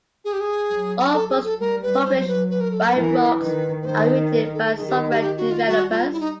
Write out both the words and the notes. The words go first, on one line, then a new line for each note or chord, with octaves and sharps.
All books published by Wrox are written by software developers.
G#4
G4
G#4
F#3
A4
G#4
A4
G3 A#4
B4
F#3 C5
C5
B4
B4
A#4
A4
A#4
E3 A#4
D#3 B4
B4
D#3 C5
B4
A#4
A4
A4
D#3 G#4
G4
G4
G4
F#4
F4
G3 F#4
F4
E4
D#4